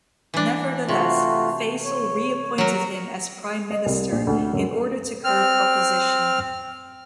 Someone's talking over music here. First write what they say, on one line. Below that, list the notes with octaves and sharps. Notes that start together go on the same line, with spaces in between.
Nevertheless, Faisal reappointed him as prime minister in order to curb opposition.
E3 D4
C3 A3 F4 F#4
C#5
F#3 A#4
D#5
C2
A#1
D2
F#2
C4 F6